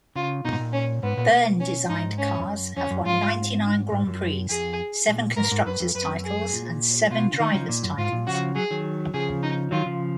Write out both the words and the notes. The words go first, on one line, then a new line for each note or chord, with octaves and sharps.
Byrne-designed cars have won ninety-nine Grands Prix, seven constructors' titles and seven drivers' titles.
C#3 F4
B2 D#4
G#2
A#2
C#4
G#2 B3
A#2
B2
C#4
G#2 D#4
C#4
F2
F#2
F2 C#4
F#2
G#2 F4
G#2
F#2
F2 G#4
A#2
G#2 A#4
G#2
F#2 B4
F2
F#2 B4
G#4
A#2
B2 F4
C#3
D#3 D#4
C#3 F3
A#2
F#2
G#2 F4
A#2
C#3 F3 F#4
F#3 G#4
D#3 F#3
C#3 F3 G#4
D#4
D#3 F#3 F4
C#3 F3